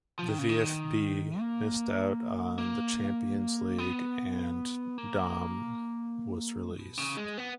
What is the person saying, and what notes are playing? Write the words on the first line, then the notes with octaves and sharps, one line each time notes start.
The VfB missed out on the Champions League and Daum was released.
F3
D#3
C#3
D#3
A#3
A#3
B3
A#3
B2
C#3
G#3
B3